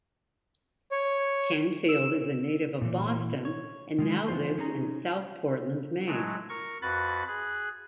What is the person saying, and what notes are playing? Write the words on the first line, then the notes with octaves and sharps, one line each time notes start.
Canfield is a native of Boston, and now lives in South Portland, Maine.
C#5
E6
A#2 E3
C#5
D#3 F3 G#3
E3 F3 B3 F4 C5
C#4 D#4 G#4 A#5
F#3 G#3 A3
A#4 C#6
F2 F#4 B4 B5 A6
G#4 F#6